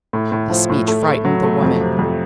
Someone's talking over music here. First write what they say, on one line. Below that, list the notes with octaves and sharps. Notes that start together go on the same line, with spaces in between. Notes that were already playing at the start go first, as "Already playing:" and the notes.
This speech frightened the woman.
A2
A2
F3
A2
A3
A3
F#3
A3
F2
C3
F2